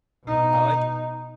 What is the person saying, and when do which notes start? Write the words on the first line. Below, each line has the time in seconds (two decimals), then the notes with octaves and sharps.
I like
0.25 B2 D#4